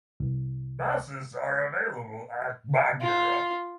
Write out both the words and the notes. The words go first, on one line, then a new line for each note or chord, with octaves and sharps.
Buses are available at Baghmara.
C2
F4